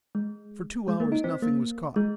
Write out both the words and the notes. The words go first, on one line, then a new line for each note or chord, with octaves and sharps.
For two hours nothing was caught.
G#3
G#3
A#3
D#4
C4
A#3
G#3